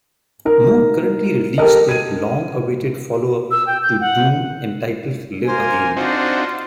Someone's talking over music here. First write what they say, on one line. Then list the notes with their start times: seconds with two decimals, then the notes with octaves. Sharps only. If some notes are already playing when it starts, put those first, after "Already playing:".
Mood currently released their long-awaited follow up to "Doom" entitled "Live Again".
0.45 D#4 A#4
1.58 G4 A4 A#4 D#5
1.89 G#6 D#7
3.51 E6
3.67 G5
3.83 G6
4.01 F#5
5.46 A#3 A#4 C5 G#5
5.97 C4 D4 D#4 F4 F#4 C5